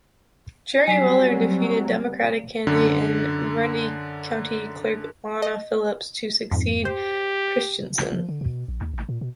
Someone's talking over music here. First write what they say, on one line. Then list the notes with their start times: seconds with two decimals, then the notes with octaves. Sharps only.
Jerry Weller defeated Democratic candidate and Grundy County Clerk Lana Phillips to succeed Christensen.
0.87 F#3 G3 C4 G#5 B6 C7
2.67 F#2 D3
5.42 D#5
6.51 F2 G#2
6.85 G4 C5
8.12 F3
8.29 D3
8.41 B2
8.68 A#1
8.81 D#2
8.94 A1
9.09 A#2
9.21 B2